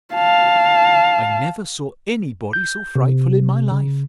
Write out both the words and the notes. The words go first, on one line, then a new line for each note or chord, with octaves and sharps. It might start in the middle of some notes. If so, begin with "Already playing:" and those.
I never saw any body so frightful in my life!
F5 A5
G6
C3
C#3